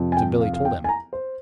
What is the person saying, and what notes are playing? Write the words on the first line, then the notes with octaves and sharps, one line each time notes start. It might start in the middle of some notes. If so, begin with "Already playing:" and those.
So Billy told him.
Already playing: F2 C3 F3
G#5
G5
F5
F5
G5
G#5
A#5
C5